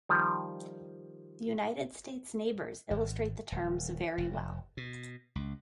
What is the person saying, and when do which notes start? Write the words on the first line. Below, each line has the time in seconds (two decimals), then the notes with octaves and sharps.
The United States' neighbors illustrate the terms very well.
0.09 D#3 F3 G3
2.91 G#1
3.52 D#1
4.18 F1
4.77 B2
5.35 C#2